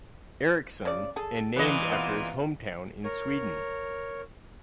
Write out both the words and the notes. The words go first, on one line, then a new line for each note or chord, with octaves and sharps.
Erickson, and named after his hometown in Sweden.
C#3 D5
G#4 A4
A#2 E3 B4 D#5
C3 B3 F4
A#4 C#5